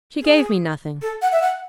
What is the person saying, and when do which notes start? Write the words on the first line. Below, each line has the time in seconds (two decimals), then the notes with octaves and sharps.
'She gave me nothing.
0.22 G#4
1.02 A4
1.22 F#5
1.32 E5
1.42 F#5